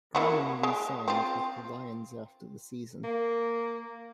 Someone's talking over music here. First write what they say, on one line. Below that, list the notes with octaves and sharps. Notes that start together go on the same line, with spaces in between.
Graman re-signed with the Lions after the season.
A#3 E4 F#4
G#3
C4 F4
A#3